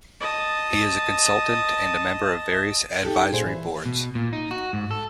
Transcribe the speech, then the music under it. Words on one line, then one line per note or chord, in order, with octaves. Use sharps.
He is a consultant and a member of various Advisory Boards.
D#5 A5
D#4 G4 A4
A#2 G#4 C5
E3
B2
A#2
D#4
F#4
G#2
A4